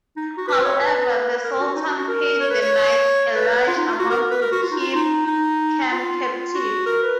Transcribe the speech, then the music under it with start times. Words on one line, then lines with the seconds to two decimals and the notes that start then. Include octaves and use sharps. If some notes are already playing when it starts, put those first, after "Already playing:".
However, the sultan paid the Knights a large amount to keep Cem captive.
0.17 D#4
0.38 F#4
0.48 B4
0.65 C#5
0.81 B4
1.44 A#4
1.60 F#4
1.75 D#4
1.98 F#4
2.08 A#4
2.40 C#5
2.51 B4
2.61 C#5
3.36 B4
3.67 F4
3.78 D#4
3.89 F4
3.99 F#4
4.10 A#4
4.31 B4
4.42 A#4
4.52 F#4
4.63 F4
4.71 D#4
4.80 F4
4.95 D#4
5.27 D#4
5.91 F4
6.23 F4
6.55 F#4
6.86 A#4
7.03 B4